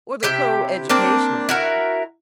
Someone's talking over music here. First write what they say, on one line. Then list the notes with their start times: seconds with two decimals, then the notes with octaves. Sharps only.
Or the Co-educational Club?
0.23 C3 E4 G4 G5
0.89 A#3 C4 D4
1.49 E4 F#4 A#4